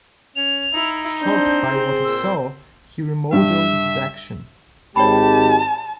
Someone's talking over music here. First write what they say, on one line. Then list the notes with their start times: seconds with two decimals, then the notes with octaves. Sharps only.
Shocked by what he saw, he remodelled his action.
0.36 C#4 F7
0.73 D#4 E4
1.22 C4 D4 C5 G6
1.71 G#4
2.04 A#2 E6
3.33 G2 E5
4.96 G#1 G#3 G4 C#5 G5 A5 B5